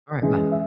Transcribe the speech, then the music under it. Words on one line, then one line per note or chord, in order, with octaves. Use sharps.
Alright, bye.
E3 G#3 C#4
E5